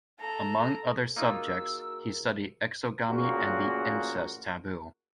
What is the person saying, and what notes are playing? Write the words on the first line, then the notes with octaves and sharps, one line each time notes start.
Among other subjects, he studied exogamy and the incest taboo.
A4 A#5
A#3 D#4 F4 F#4 G#4 A#4 E6
A1 A#2 C#3 A#3 F#4 G#4